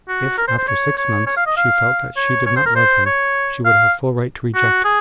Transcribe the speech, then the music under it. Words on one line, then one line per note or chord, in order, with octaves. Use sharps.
If after six months she felt that she did not love him she would have full right to reject him.
F#4
A#4
C5
C5
C#5
C#5
C#5
F5
D#5
F5
C#5
C#5
C5
A#4
C5
C#5
F5
F#4
G#4